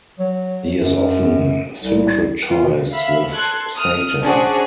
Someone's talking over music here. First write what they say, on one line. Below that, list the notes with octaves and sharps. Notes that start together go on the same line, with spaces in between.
He is often syncretised with Satan.
F#3
F#2
C2
F4
B2
E5 F5 B5
A4 C6 F#6 G#6
D#6 F6
C#4 D4 F#4 G#4 C5